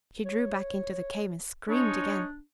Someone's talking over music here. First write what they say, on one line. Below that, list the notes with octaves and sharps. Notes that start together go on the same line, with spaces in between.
She drew back into the cave and screamed again.
C#5
G#3 D4 D#4 C#5